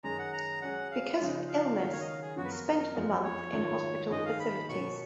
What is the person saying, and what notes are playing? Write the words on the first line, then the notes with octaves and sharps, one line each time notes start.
Because of illness, he spent the month in hospital facilities.
F#2 D#3 G#3 C#4 G#4 A#5
F#5
A#5
F#3 C#4 G#4 F#5
F5
C#3 F3 G#3 D#4
F5
D#3 F#3 C#4
C#5
D#5
F5
G#4
F#2 F3 B3 F4 F#4
B4
A#4
F2 F3 G#3 B3 F4
C#5
G#2 D#3 F#3 C#4 F4
G#2 D#3 G#3 D#4 D#5
F5
B5
B2 F#3 A#3 C#4 C#6